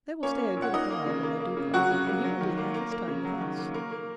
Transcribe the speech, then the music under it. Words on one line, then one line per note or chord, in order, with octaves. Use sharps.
They will stay a good while when they do come, and he will be half his time with us.
A#3 C#4 C#5
A#3
A#2
F#5
A#3 D#4 D#5
A#3
C#3
A#3
A#3
C#3
F#3 F#4 F#5
C#3
A#3
F#3
D#3
A#3
A#3 A#4
A#3
C#3
F#3
D#3
A#3
A#3 A#4
A#3